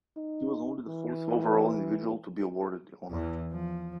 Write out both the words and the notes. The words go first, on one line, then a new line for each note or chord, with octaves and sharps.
He was only the fourth overall individual to be awarded the honor.
D#4
E3
E2 E3
F3